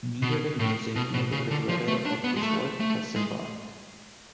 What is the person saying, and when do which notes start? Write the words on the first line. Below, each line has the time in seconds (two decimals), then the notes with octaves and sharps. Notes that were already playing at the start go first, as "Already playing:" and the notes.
Neither the music nor the libretto of this work has survived.
0.22 B2
0.59 A2
0.96 B2
1.14 B2
1.32 C#3
1.51 D3
1.69 F3
1.88 A3
2.06 D4
2.24 B3
2.36 G#3
2.43 A3
2.80 A3
3.16 G#3